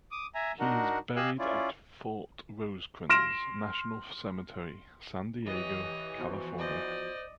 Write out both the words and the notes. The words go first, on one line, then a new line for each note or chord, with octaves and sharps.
He is buried at Fort Rosecrans National Cemetery, San Diego, California.
D6 D#6
E5 G#5 A#5
D4 D#4 F#4 A#4 F#5
G4 D#5 F5 G#5 E6 F#6
C#4 E4 F4 D5
C6 F6 A#6 D7 E7
E3 G4 C#5 D#5
E2 F3 F#4
C5 D5 D#5